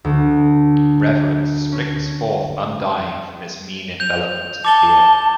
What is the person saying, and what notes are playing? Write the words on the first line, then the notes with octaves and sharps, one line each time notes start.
Reverence springs forth undying from its mean envelopment of fear.
D2
C#4
G6 F7
A5 D6 A6 G7